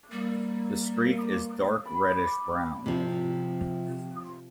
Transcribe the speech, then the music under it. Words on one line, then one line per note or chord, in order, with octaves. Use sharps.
The streak is dark reddish brown.
G3 A#3
B5
C3 F3